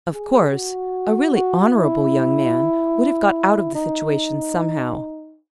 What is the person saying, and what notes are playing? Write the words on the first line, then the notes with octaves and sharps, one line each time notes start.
Of course, a really honourable young man would have got out of the situation somehow.
G#4
F#4
F#4
E4
D#4